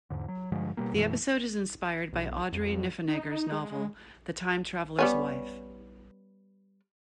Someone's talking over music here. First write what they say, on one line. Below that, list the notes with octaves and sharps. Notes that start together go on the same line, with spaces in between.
The episode is inspired by Audrey Niffenegger's novel "The Time-Traveler's Wife".
E2 G#2 D3
F#3
G2 D3 F3 G#3
B2 G3 A#3
F#2 B2 E3 A3
B1
F2
D#4
G#3
G3 B3 C#4